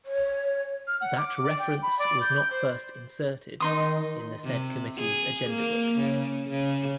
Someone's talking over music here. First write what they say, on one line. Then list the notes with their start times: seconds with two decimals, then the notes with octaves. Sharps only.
That reference was not first inserted in the said committee's agenda book.
0.06 C#5
0.87 F6
1.00 F#5
1.17 D6
1.44 D5
1.58 G5
1.82 B5
1.99 D5
2.21 G6
2.50 C5
3.60 D#3 D#4 C6 D#6
4.44 C3
4.99 G#4
5.50 A#3
5.99 C#3
6.50 C#3